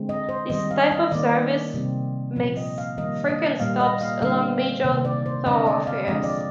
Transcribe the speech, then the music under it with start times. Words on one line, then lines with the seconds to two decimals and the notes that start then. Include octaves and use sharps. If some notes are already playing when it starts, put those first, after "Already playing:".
This type of service makes frequent stops along major thoroughfares.
Already playing: D3 G#3 C4
0.09 D#5
0.29 C5
0.50 D#3 G3 C4 D#5
0.71 F5
0.91 D#5
1.11 D#3 A#3 D5
1.74 C3 G3 C4
2.36 A#2 F3 C4
2.57 D#5
2.78 F5
2.97 D#3 G3 A#3 D#5
3.29 D#5
3.60 A#2 G3 A#3 F5
3.80 D#5
4.01 F5
4.22 D3 G3 A#3 F5
4.84 C3 D#3 A#3
5.05 D5
5.26 C5
5.46 D3 G#3 C4 D#5
5.67 D5
5.87 F5
6.08 D3 F3 G#3 C4 D#5
6.23 D5